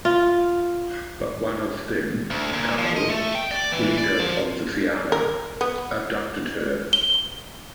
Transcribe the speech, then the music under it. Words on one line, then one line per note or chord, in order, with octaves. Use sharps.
But one of them, Cumhal, leader of the fianna, abducted her.
F4
D2
A#2
F3
D#5
A3
G5
D5
E3
D5
F3
A#4
B3
G7